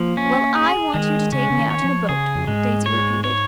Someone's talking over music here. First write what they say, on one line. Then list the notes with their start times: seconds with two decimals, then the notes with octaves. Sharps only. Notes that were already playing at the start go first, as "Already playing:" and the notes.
"Well, I want you to take me out in a boat!" Daisy repeated.
Already playing: F3 A#3
0.17 C#4
0.55 G#4
0.94 D#3 G#3
1.32 C#3 C#4
1.50 C#3
1.57 D#3
1.70 C#5
1.84 F3
2.09 C#3 G#4
2.35 F2
2.47 G#2 G#3
2.86 C#5
3.24 C#5